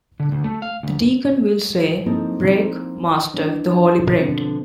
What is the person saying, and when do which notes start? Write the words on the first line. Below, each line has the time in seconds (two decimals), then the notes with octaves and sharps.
The deacon will say, Break, Master, the Holy Bread.
0.20 D3
0.32 D2
0.44 A3
0.62 F5
0.83 D2
2.06 F3 A#3 C4 D#4 E4 A4
3.34 E3 D4
4.19 B2 D3 F3 C4 A4